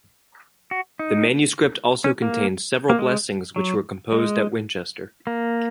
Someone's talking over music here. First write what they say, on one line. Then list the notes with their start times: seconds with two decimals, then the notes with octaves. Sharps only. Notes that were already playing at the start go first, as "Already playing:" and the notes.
The manuscript also contains several blessings which were composed at Winchester.
0.71 F#4
0.99 D#4
2.04 C#4
2.22 A#3
2.90 A#3
2.99 G#3
3.56 F#3
4.12 G#3
5.27 A#3